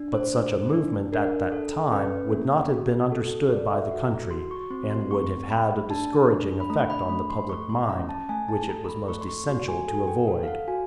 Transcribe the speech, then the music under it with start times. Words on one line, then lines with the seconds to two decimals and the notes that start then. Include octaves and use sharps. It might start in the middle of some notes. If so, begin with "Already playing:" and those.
But such a movement, at that time, would not have been understood by the country, and would have had a discouraging effect on the public mind, which it was most essential to avoid.
Already playing: D4
0.13 C5
0.33 A3 C5
0.73 D4
1.12 D4 A#4
1.52 A4
1.92 C#4 B4
2.32 A#3
2.72 F#4
3.12 A4
3.51 A4 D5
3.71 E5
3.91 F#4 F#5
4.11 A#5
4.31 F#4 C6
4.51 C#6
4.70 C4 C6
4.91 C6
5.01 C6
5.11 A3 C#6
5.50 A3 B5
5.90 D4 A5
6.30 D4
6.60 B5
6.70 A3 A#5
6.90 B5
7.09 A3 B5
7.30 C6
7.49 A3 C#6
7.69 C6
7.89 C#4 A#5
8.09 A5
8.29 A3 G#5
8.48 A5
8.69 A4 A#5
8.84 A#5
8.88 B5
9.08 A3 C#6
9.21 C6
9.28 C#6
9.48 F#4 C6
9.68 G#5
9.88 A4 G#5
10.08 G5
10.28 A4
10.43 F5
10.48 F#5
10.68 F#4 G#5